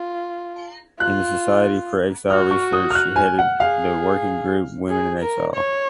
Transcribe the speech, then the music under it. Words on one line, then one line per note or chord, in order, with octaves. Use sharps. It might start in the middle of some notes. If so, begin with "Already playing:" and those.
In the "Society for Exile Research" she headed the working group "Women in Exile".
Already playing: F4
F4 F#6
F#4 F6
C#6
D#6
F6
F#6
G#5
F#5
G#4 F5
G#4
A#4
C#5